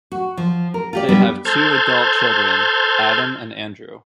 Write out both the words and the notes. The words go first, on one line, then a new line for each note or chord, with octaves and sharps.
They have two adult children, Adam and Andrew.
F#4
F3
A#4
F4 G4 D5
G3 B3 D4 G4
A4 C5 A5 F6 G6 G#6